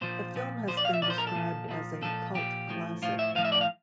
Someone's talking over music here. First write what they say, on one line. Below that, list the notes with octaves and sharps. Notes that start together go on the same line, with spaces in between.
The film has been described as a "cult classic".
A#2 F3 C5
A#2 F3
A#2 F3 C5
D5
F5
E5
A#2 F3 C5 D5
A#4
A4
A#2 F3
A#2 F3
A#2 F3 A4
A#2 F3 G4
A2 F3
A2 F3 F4
E5
A2 F3 F5
E5
D5
F5